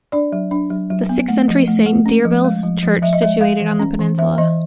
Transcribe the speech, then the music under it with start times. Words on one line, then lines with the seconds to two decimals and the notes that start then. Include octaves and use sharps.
The sixth-century Saint Deirbhile's Church, situated on the peninsula.
0.12 D4 D5
0.32 F#3
0.51 D4
0.70 F#3
0.90 F#3
1.09 B3
1.28 A3
1.48 F3
1.67 A3
1.86 A3
2.06 C#4
2.25 F3
2.44 G#3
2.63 F3
2.83 F3
3.02 F3 E5
3.13 D#5
3.22 G#3 E5
3.41 G#3 F5
3.60 E3
3.79 C#4
3.99 E3
4.18 E3 E5
4.38 E3 D#5